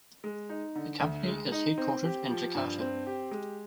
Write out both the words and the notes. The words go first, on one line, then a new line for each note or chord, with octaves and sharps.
The company is headquartered in Jakarta.
G#3
D#4
D3
D2
G#3
D#4
C4
G4
F3
G2
C4
G4
G#3